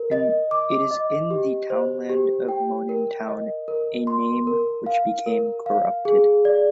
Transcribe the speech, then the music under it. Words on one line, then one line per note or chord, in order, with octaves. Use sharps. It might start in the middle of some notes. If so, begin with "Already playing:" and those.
It is in the townland of Monintown, a name which became corrupted.
Already playing: A#4
D#5
D6
D#5
G4
C5
G4
G5
A#4
D#5
A#4
C6
A#4
F5
A#4
F5
G#4
D5